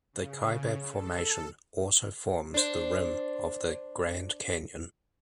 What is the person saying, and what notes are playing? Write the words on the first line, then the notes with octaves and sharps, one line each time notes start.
The Kaibab formation also forms the rim of the Grand Canyon.
C#3
A4
D4 C5